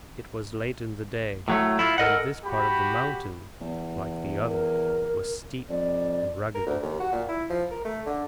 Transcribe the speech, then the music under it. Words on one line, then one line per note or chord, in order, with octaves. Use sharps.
It was late in the day, and this part of the mountain, like the other, was steep and rugged.
A2 F#3 A3
E4 F4
A4 A#4 D#5 F#5
F#4 G4 B5
E2
A#4
F2 D5
A#4
D2
D#2
F#4
A#2
E4
F3
A#4
A3
D3